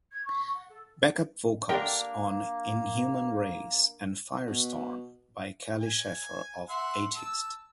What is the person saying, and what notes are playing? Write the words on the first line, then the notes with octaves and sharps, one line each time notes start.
Back-up vocals on "Inhuman Race" and "Firestorm" by Kelly Schaefer of Atheist.
G#6
C#6
C#6
F#5
A4
D3 A#3 D4 G4 A#4 G5
B2
G#5
E5 F#5 C6
A5 E6